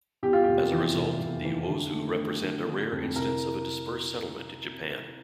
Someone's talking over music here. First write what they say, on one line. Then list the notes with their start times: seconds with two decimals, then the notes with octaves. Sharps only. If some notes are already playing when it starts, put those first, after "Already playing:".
As result, the Uozu represent a rare instance of a Dispersed settlement in Japan.
0.23 E2 G4
0.33 F4
0.44 F1 G4
0.72 E3
0.95 F1
1.20 F1
1.45 E3
1.69 D3
1.94 A3
2.18 D3
2.43 D3
2.66 D3
2.92 F2
3.15 C2 A#4